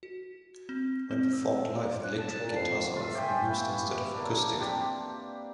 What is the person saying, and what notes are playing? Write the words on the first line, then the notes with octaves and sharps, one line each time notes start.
When performed live, electric guitars are often used instead of acoustic.
F#4
C4
C4
E6
F#6
A5
A#2
F2 C7
F4 E5
G4 C#5 G5 G#5
B3 E4
A#3 D4
C4 D4 G4